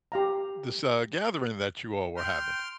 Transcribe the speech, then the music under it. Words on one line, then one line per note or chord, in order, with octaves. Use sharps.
this, uh, gathering that you all were having.
G4 F5 A#5
G5 C6 F6